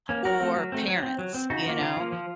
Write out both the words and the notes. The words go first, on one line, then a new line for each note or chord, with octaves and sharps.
or parents, you know,
A#3 C#4
F#3 F#4 A#4
A3 C4
F#3
A3 C4
F#3
C4
F#3
C4
C#3 D#4 F#4
F3 A#3
C#3 F4
F3 A#3
F3